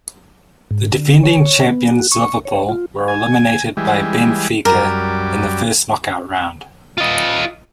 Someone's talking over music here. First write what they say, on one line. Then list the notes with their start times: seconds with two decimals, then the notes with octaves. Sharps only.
The defending champions Liverpool were eliminated by Benfica in the first knockout round.
0.71 G#2
0.93 D3
1.23 C#5
1.67 B3
1.91 F#4
2.12 C#6
2.45 C#5
2.69 F4
3.08 G#5
3.77 E3 G3 G#3
4.65 F#2 G3 A#4 D5
6.98 F4 D#5